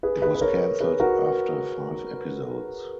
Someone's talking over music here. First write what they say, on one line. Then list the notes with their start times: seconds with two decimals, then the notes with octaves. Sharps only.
It was cancelled after five episodes.
0.03 G#4 B4
0.22 G#4 B4
0.35 B4
0.41 A#4 C#5
0.80 G#4 B4
1.00 F#4 A#4